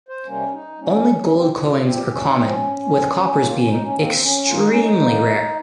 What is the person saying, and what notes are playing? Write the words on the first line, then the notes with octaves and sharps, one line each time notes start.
Only gold coins are common, with coppers being extremely rare.
C5
C3 G3 A#3 C#4
D#4
C3 G3 A#3 C#4
A#2 F3 C4
F4
A#2 F3 C4 G4
C4
C#4
D#4
A#2 F3 C4 C#4
A#2 F3 C4
D#3 A#3 F4
C#4
D#4
C#4
D#3 A#3 C4
C#4
D#3 A#3 F4
D#4
C#4
D#4
D#3 A#3